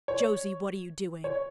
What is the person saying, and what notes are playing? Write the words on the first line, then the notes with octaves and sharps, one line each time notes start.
"Josie, what are you doing?"
C#5
C#5